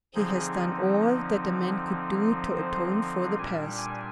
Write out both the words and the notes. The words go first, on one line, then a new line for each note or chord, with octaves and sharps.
He has done all that a man could do to atone for the past.
D3 F3 C4 D#4 G#4
C5
A#2 G3 D4 G#5
G#5